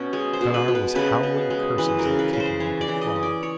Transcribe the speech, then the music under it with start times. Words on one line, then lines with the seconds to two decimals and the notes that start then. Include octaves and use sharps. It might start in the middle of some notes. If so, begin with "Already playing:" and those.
Gunnar was howling curses and kicking like a frog.
Already playing: B2 C#4
0.13 G#3 C#5
0.33 C5
0.41 B2
0.54 B4
0.68 B2
0.75 B4
0.95 C#3 B4
1.23 C#3
1.50 G#3
1.78 E3 B4
1.99 A#4
2.05 C#3
2.19 B4
2.33 C#3
2.40 C5
2.60 E3 C#5
2.81 D5
2.88 E3
3.01 D#5
3.16 C#4
3.23 D5
3.43 C#5